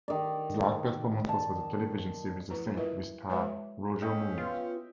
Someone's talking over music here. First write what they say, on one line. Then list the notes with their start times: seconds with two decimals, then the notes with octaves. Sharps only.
His last performance was for the television series "The Saint" which starred Roger Moore.
0.08 D#3 D5
1.29 A5
2.50 F3 A3 E4 B4 A#5
2.77 E4 F4 A#4 B4 D#5 E5
3.29 G#3 F#4 B4 C#5 D5 E5
4.02 C#4 D#5 E5 G5
4.38 B3 F4